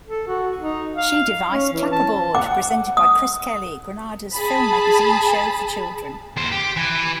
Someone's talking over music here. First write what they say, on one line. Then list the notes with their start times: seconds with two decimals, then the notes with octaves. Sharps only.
She devised "Clapperboard", presented by Chris Kelly, Granada's film magazine show for children.
0.07 A4
0.27 F#4
0.60 D#4
0.96 F5
1.51 C#4
1.73 E3
1.92 A5
2.35 F#5 D6
2.97 D#6
4.33 G#4 A5 B5
6.37 D#2 C5
6.52 G4
6.77 E3